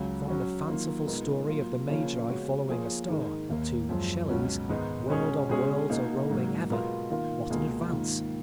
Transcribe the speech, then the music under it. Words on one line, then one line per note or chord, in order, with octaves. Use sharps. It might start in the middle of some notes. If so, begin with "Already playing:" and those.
From the fanciful story of the Magi following a star to Shelley's "World on worlds are rolling ever," what an advance!
Already playing: C#2 C#3 F#3
F#3 C#4 F#4
D#3 F#3 A#3 F4
A#2 G#3 B3 D#4 A#4
F#3 A#3 F4
C#3 F3 A#3 C#4 F4
C#3 G#3 B3 F#4 C#5
F3 A#3 F4 G#4 C#5
G#2 D#3 G#3 D#4 A#4
D#2 D#3 A#3
F#2 F3 G#3
C#2 B2 F#3 C#4
G#2 D#3 G#3 B3 D#4
B2 G#3 C#4 G#4 C#5
B2 G#3 C#4 G#4 C#5
B2 A#3 D#4
G#2 F#3 A#3
B2 G#3 B3 F4 A#4
D#3 A#3 F4 A#4
C#2 B2 A#3 F4 G#4
G#2 D#3 A#3 F4